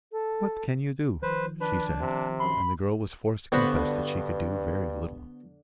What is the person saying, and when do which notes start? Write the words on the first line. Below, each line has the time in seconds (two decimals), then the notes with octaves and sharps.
'What can you do?' she said; and the girl was forced to confess that she could do very little.
0.12 A4
1.22 D#3 F3 B4 C5
1.61 D4 B4
2.01 C3
2.40 F#2 B5 C6
3.52 G2 D3 B3 F#4 C5 B5